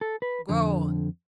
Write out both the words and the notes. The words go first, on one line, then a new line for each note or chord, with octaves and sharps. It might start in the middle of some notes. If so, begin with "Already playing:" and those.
"Go on."
A4
B4
F2 D3